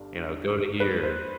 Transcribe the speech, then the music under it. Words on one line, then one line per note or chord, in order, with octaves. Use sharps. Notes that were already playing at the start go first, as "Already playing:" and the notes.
you know, "go to here,"
Already playing: G1 G2
B4
C5